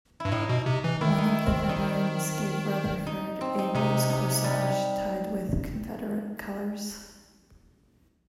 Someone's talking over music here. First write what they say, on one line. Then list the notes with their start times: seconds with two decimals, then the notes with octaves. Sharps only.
One of the veterans gave Rutherford a rose corsage tied with Confederate colors.
0.20 E4
0.25 G2
0.32 A2 D#4
0.49 B2
0.66 C3
0.84 E3
1.01 D#3 E4
1.18 D#4
1.24 E4
1.46 C4
1.69 D#4
3.07 D#4
3.41 C4
3.59 D#4
3.75 C3 D#4
4.10 D#4
4.44 G3